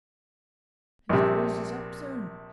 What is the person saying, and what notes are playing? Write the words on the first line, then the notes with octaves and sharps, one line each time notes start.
His cruise is up soon!
A#1 C3